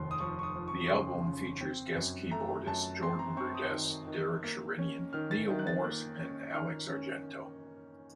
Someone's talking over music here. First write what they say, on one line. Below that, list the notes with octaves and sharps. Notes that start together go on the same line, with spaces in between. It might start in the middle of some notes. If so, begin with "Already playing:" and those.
The album features guest keyboardists Jordan Rudess, Derek Sherinian, Neal Morse, and Alex Argento.
Already playing: F1 D#2 F3 C6
D#6
F3 C#6
C#6
D#6
F3
C#6
C#6
C#3 C6
C#3
C4
F#2
A3 A#5
F#2 A5
C4 C6
A#5
C4 C#6
D#6
D#3
D#3
A#3
C#4
D#3 F6
A6
D#3
F#6
A6
A#3 F#6
C#4
D#3 F6
C#4